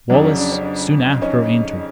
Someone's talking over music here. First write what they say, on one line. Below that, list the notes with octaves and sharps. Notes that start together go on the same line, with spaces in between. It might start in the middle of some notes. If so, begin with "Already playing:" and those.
Wallace soon after entered.
F2 C#3 F#3 D4
C#4
D4
C#4
D4
C#4 D#4